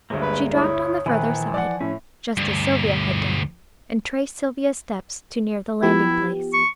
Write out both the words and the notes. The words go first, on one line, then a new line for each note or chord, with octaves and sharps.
She dropped on the further side, just as Sylvia had done, and traced Sylvia's steps to near the landing-place.
G1 D2 G3 G#3 A#3
B4
E4 C#5 D#6
A#1 D#3 E3 G#5 B5 F#6
F3 D5 F#5
A2 C#4
D2 G2
F3 B3 E4 G4
C#6